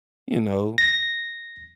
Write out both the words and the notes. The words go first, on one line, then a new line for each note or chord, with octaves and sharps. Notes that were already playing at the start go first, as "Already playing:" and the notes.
you know,
A#6